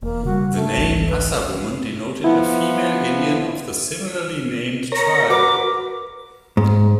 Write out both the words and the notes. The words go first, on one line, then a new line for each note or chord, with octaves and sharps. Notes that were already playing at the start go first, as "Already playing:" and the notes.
The name "Assawoman" denoted a female Indian of the similarly-named tribe.
E1 A#3
C#3 F3 G3 F#4
A3
G#1 C#2 E3
B4
F3 B3 E4
A#4 C#5 A#5
F#4 A#4 B4 D6
G#2